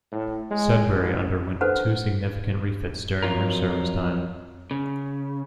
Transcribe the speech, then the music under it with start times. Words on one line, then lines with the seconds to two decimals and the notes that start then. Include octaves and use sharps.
"Sudbury" underwent two significant refits during her service time.
0.11 A2
0.50 G#3
0.94 A1
1.61 D4 A4 B4 C5 F#5
3.23 F2 F#3 F4 A#4
4.71 C#3